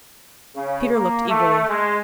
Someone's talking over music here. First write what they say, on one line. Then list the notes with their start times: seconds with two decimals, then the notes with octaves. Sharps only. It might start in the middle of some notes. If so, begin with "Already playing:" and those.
Peter looked eagerly.
0.56 C#3
0.92 A#3
1.28 A3
1.69 G#3